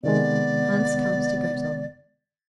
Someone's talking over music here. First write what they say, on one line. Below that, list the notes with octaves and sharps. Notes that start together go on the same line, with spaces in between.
Hans comes to Grettel.
C3 D#3 G#3 B3 D5